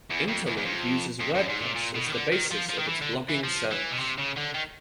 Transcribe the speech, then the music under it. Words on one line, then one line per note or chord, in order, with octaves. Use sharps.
Intelink uses WordPress as the basis of its blogging service.
E2
F2
E2
E2
F2
F2
F#2
G#2
A#2
A#2
B2
D#3
D3
D#3
F3
F3
D#3
E3
D3
E3
F3
E3
B2
C3
C#3
D3
D#3